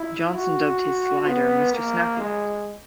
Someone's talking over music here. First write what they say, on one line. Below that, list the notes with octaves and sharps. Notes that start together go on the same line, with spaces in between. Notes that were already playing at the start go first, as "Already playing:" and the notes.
Johnson dubbed his slider "Mr. Snappy".
Already playing: E4
F#4
B3
A#3
G#3